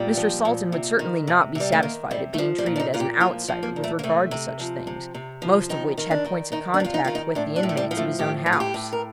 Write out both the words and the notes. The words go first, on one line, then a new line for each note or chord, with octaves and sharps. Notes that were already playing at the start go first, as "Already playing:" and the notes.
Mr. Salton would certainly not be satisfied at being treated as an outsider with regard to such things, most of which had points of contact with the inmates of his own house.
Already playing: A#2 G3
F3
A#2
C3
D#3
C3
C3
G3
A3
D#3 A#3
C3 G3
A3
F3 G3
G3
A#2
D4
D#4
A#2 F4
G4
F3 F4
F3
A#3
A#2
A3
A#3
C3 A3
C3
F3
C3
C3
F3
D#3 D#4
D#3
D4
D#3
D#3 D#4
D4
C3 F4
D#4
D#3 F4
D#4
A2 D4
D4
A2
A3
G3
F3
A3
A2 G4
A2
F4
G4
A2
A#4